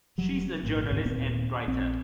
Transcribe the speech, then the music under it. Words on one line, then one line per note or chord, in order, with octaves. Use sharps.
She’s a journalist and writer.
F1 F#3 G3
G#1 A#2
G#1 D2 A2 C3
D#1 A#2 B3 C4
A#1 C4